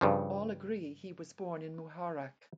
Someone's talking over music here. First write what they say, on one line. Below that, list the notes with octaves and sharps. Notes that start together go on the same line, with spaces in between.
All agree he was born in Muharraq.
G2 C#3 F3